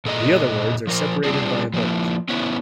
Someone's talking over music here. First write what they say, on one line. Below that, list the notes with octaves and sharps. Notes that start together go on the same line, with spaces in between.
The other words are separated by a bullet.
A#2 G#4 A4 D#5 A#5
F3 A#4 C5
G3 G#3 C4 D4 F4 G#4
F3 A#3 E4
B3 C#4 E4